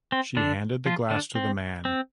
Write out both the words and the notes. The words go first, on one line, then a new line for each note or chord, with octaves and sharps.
She handed the glass to the man.
C4
D3 D4
F3 F4
D3 D4
C4
C4